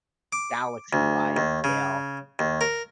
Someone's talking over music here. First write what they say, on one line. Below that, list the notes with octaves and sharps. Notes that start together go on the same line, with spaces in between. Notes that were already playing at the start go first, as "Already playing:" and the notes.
galaxy-wide scale,
D6
D2
D#2
C#3
D#2
A#4